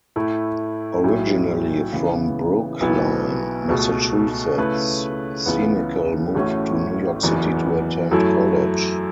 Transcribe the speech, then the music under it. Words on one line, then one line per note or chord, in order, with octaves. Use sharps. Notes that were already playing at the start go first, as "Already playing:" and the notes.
Originally from Brookline, Massachusetts, Senecal moved to New York City to attend college.
A2 A3 E4
B1 A2 F#3
C#3 E3 B3
B1 B2 B3 E4
C#2 B2 A3
C#3 A3 E4 B4
C#2 C#3 E3 B3
A1 A2 A3 C#4 F#4
F#1 E2 E3 B3 F#4
F#2 F#3 A3 E4 A4